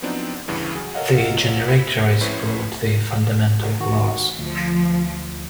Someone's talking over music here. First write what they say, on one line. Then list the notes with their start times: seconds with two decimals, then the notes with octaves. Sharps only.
The generator is called the fundamental class.
0.02 F3 F#3 B3 C4 D4 D#4
0.48 D2 G2 C#3 E3 G3
0.76 F#3 G#4
0.94 A4 A#4 C#5 D#5 F5 F#5
1.68 E5 B5 G#6 B6
2.21 A#1 A2 C#4 E4 B4 C5
3.80 D#3 F#4
4.38 D2 F3